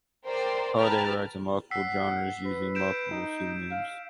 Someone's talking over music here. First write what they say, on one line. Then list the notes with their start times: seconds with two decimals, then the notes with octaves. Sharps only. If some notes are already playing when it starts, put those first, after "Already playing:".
Holliday writes in multiple genres using multiple pseudonyms.
0.25 A#4 C5 D5 G5 C6
0.76 B4 G5 A5 A#5 F6
1.71 F#5 E6 B6 C7
2.45 B4
2.75 G6 D7 E7
3.11 D#4
3.71 F5